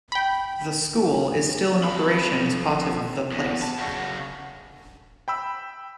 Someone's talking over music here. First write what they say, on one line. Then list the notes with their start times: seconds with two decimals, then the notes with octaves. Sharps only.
The School is still in operation as part of The Place.
0.12 G5 B5
1.84 F2 B5
3.32 E2
3.62 A5
3.78 C#3 F#4
5.28 G5 B5 E6